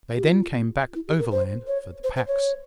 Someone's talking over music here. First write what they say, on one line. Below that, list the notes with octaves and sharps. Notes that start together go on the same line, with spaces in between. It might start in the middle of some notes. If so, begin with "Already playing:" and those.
They then came back overland for the packs.
G4
F4
E4
G4
A#4
C5
C#5
C5
C5
C#5